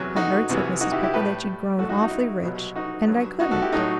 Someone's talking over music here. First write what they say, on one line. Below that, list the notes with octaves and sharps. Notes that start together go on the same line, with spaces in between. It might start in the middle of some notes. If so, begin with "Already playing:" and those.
"I heard," said Mrs. Pepper, "that you'd grown awfully rich, and I couldn't."
Already playing: E2 C3 F#3
D#4 F#4
C2 C3 E3
D#4 F#4
E4 G4
E4 G4
A2 G3 G4 B4
A2 F#3 F#4 A4
D#4 F#4
D#4
E4
C2 B2 F#3
D#4 F#4
G2 F#3
D#4 F#4
F#4 A4
E4 G4
A2 F#3 D#4 F#4